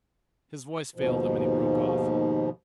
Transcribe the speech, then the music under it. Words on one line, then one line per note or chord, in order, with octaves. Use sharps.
His voice failed him, and he broke off.
D#2 G#2 B2 F3